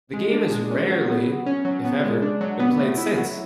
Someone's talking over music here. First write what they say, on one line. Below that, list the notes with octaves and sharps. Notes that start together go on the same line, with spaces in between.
The game has rarely if ever been played since.
G#3
D4
G#3
C#4
F#3
B3
F#3
C#4
F#3
B3
G#3
D4
F#3
B3
A3
E4
F#3